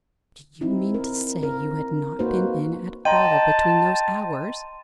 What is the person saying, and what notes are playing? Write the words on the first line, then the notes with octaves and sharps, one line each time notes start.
"Do you mean to say you had not been in at all, between those hours!"
C4 D#4 E4
A#4
A#4
A#3 D#4 F#4 B4 C5
D#5 G5 A5 A#5 C6 D#7